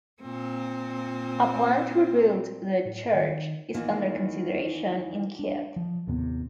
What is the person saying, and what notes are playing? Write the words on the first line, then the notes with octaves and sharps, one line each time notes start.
A plan to rebuild the church is under consideration in Kiev.
A#2 C4
A2
D#3
E2 D#3 E3 A#3 D#4 F4
D4
F3
D#2 A2 C3 B3